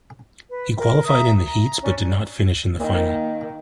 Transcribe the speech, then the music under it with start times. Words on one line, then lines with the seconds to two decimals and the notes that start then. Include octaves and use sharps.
He qualified in the heats but did not finish in the final.
0.48 B4
0.78 A#4
1.05 E5 A#5 D#6
1.44 A#5
1.82 C#4 D4
2.80 D#3 A#3